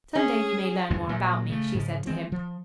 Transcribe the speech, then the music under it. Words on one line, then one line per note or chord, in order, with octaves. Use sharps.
'Some day you may learn more about me,' she said to him.
C#4 G#4
E2 G2 D3 G#3
A#2 F#3
C#3 A3
G#2 C#3 F3
E3 F3 G#3 C4
F3